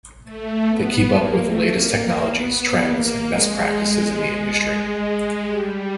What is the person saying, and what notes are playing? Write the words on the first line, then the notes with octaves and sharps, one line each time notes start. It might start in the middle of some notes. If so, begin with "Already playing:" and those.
They keep up with the latest technologies, trends, and best practices in the industry.
A3
B3
A#3
A3
A#3
A#3
B3
B3
A#3
G#3
G3